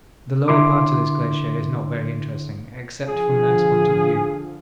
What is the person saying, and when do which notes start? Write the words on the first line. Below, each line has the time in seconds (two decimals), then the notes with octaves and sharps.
The lower part of this glacier is not very interesting, except from an ice point of view.
0.48 D3 E4 C6 D6
3.07 D3 F3 G#4